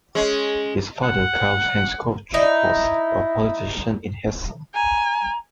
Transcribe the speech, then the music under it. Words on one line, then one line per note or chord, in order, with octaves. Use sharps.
His father Karl-Heinz Koch was a politician in Hessen.
G#3 C#4
F#5
D#4 E4
G#5 A#5